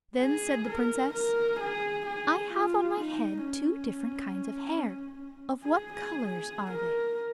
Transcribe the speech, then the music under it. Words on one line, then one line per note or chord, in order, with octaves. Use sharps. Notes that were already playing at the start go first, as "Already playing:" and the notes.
Then said the Princess, 'I have on my head two different kinds of hair. Of what colours are they?'
G#4
A#4
A#4
G#4
G#4
F4
D#4
C#4
G#4
G#4
G#4
A#4